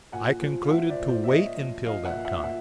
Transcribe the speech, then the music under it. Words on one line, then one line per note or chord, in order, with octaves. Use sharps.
I concluded to wait until that time.
A#2 F#5 G#5
F3
F5
F3 E5 F#5
C5 D5
A#2
C5 D5
E5
A#2 C#5 D#5
F3
F3 D#5 F5
E5 F#5
A#2
E5 F#5
A#2 E5 F#5